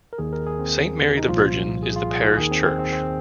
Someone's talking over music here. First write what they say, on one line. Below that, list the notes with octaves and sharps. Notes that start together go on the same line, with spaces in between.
Saint Mary the Virgin is the parish church.
A#4
D#2 D#3 G#4
A#4
G#4
C4
D#4
C2 A#2 F3 F4
G#4
F4
G#4
D#2 D#3 G#4
C4
C4
C4
C4